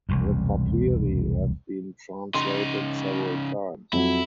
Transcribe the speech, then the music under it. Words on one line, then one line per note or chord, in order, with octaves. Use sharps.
The papyri have been translated several times.
E1 C2 F2
C#3 D#4 C6
F2 F#3 E4